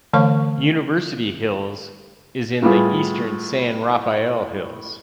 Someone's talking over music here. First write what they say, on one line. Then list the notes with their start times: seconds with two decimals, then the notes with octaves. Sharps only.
University Hills is in the eastern San Rafael Hills.
0.13 D3 E3 A3 C#5 F5 C#6
2.62 A2 G3 B3 F4 G#4